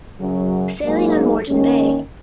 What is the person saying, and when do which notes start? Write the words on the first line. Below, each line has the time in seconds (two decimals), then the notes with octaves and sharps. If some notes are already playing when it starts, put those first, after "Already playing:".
Sailing on Moreton Bay.
0.19 F#2 C#3 F#3
0.84 G#2 F#3 A#3 D#4 G#4
1.48 D#3 A#3 C#4